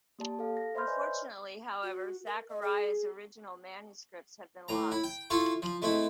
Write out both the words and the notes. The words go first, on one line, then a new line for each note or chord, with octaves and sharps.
Unfortunately, however, Zachariah's original manuscripts have been lost.
A#3 G4 D5 A5
A4 F5
A#6
C5 E5 B5 C6 F6 G6
B4 D5 D#5 G#5 C6
C#5
F#4
A#4
D#5
G#4
A2 A#5
E4
G5
E4 F4 A4 C#6
F3
G#3 A3 C4 E4